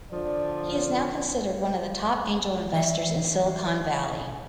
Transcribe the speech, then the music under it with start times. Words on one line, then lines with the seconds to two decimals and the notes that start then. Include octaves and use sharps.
He is now considered one of the top angel investors in Silicon Valley.
0.12 D3 F3 D5
2.73 E3 D5 E5 C7 C#7